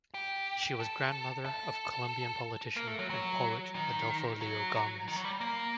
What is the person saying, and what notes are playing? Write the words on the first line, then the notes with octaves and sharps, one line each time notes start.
She was grandmother of Colombian politician and poet Adolfo Leon Gomez.
G4
A4
A4
A#3
A3
F#3
F#3
D#3
F#3
D#3
F#3
G3
A#3